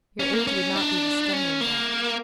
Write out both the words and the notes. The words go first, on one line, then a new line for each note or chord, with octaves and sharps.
"Your age would not be the stumbling block."
C#4
A#3
C#4
D4
C#4
A#3